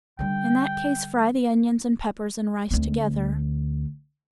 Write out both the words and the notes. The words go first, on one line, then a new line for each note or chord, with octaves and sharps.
In that case fry the onions and peppers and rice together.
D3 G3 G5
D2 C4